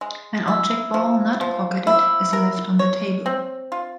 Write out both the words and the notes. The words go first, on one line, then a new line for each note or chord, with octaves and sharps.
An object ball not pocketed is left on the table.
G#3
E4
F3
F3
E4
A#4
C#5
C4
F4